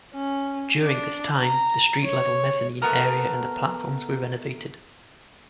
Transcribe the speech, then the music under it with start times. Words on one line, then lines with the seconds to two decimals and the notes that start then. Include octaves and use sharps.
During this time, the street level mezzanine area and the platforms were renovated.
0.14 C#4
0.84 D4
1.42 A#5
2.04 C#5
2.82 A3 B3 A#4